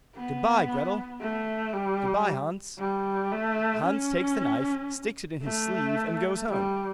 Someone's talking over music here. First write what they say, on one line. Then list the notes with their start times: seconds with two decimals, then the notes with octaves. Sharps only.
'Goodbye, Gretel.' 'Goodbye, Hans.' Hans takes the knife, sticks it in his sleeve, and goes home.
0.15 B3
1.21 A3
1.74 G3
2.79 G3
3.32 A3
3.85 C#4
5.43 A3
6.49 G3